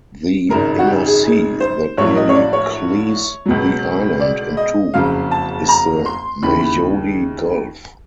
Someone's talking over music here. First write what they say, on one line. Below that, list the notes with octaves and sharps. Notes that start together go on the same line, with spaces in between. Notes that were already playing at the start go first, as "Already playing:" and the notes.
The "inner sea" that nearly cleaves the island in two is the Majoli Gulf.
G#1 F#2 C#3 A#4
F#4
G4
G#4
G#4
C5
A#1 A2 F#3 C#5
D#5
C#5
D5
C#5
C#2 B2 F#3
D5
D#5
F#1 F2 C#3 F#3 F5
A5
A#5
C6
D#2 C#3 E3 B5
B5